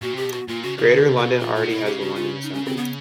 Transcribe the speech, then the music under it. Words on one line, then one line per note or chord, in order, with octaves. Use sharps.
Greater London already has the London Assembly.
A#2 F#4
C3 G4
B2
F#4
A#2 F4
C#3 F#4
C#3 G4
D3 G4
C3
F#4
B2
A#2 F4
F4
B2
E4
C#3 G4
F#4
F4
D#4
C#4
C4
B3